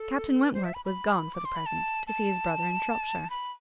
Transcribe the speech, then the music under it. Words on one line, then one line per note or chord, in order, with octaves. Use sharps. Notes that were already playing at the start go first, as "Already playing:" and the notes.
Captain Wentworth was gone, for the present, to see his brother in Shropshire.
Already playing: A4
B4
C5
E5
B5
B5
D6
C6
B5
A5
A5
B5